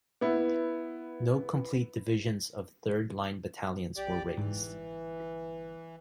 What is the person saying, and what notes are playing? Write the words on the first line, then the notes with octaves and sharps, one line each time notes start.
No complete divisions of third line battalions were raised.
B3 E4
A#1 G4 D5
G1 G#2 E3